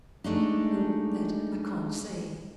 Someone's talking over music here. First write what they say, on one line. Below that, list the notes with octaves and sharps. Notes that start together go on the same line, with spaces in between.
"Oh, that I can't say."
G#3 A3 D4 D#4